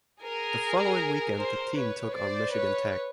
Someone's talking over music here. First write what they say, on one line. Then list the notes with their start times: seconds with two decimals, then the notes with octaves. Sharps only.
The following weekend the team took on Michigan Tech.
0.21 G#4 A#4
1.37 A#4 C5
1.75 B4 C#5
2.14 C5 D5
2.52 B4 C#5